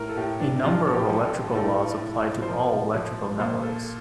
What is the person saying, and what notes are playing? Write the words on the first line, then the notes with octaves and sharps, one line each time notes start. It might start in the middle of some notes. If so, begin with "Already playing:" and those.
A number of electrical laws apply to all electrical networks.
Already playing: A2 A#4
A4
A2 G4
D4
F3 F4
A4
G4
F3
A4
A2 A4
A2
C5
F3 A#4
F3
A#2 C5
A4